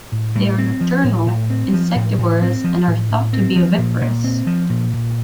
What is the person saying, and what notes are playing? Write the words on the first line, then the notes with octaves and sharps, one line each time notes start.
They are nocturnal, insectivorous and are thought to be oviparous.
A2
A2
C4
F3
A2
A2
C4
F3
A2
A2
C4
F3
A2
A2
C4
F3
A#2
A#2
C4
F3
A#2
A#2